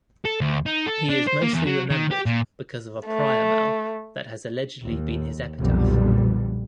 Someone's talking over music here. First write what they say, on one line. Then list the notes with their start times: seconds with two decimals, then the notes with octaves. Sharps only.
He is mostly rmembered because of a priamel that has allegedly been his epitaph.
0.25 A4
0.41 D2
0.66 D#4
0.86 A4
1.09 D4
1.27 C5
1.42 A#3
1.53 E2
1.66 F#3
1.90 D#3
2.11 G4
2.26 A#2
3.07 A3
4.85 D#2
5.60 B1 F2 A#2 D3 G3 B3